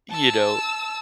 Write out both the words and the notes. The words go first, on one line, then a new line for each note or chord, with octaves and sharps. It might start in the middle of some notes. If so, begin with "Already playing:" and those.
you know
A5 E6